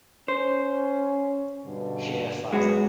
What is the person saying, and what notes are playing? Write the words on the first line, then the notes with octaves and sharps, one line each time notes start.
Here Fr.
C#4 C5
G2 B2 D3
F#2 G#3 B3 F#4